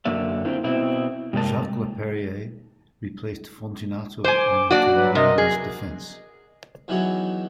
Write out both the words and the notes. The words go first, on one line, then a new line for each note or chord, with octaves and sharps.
Jacques Laperriere replaced Fontinato on the Canadiens defence.
F#2 D3 A#3 D5 E5
D3 C4 E4 F4
B2 C4 E4
G2 C3 G#3 A#3 A5
C5 G#5 D6
B2 A#3 D4 F#4 D5
F#3 B4
C3 A#4 D#5
G#4
E2 D#3 E3 F#3 A#4 C#5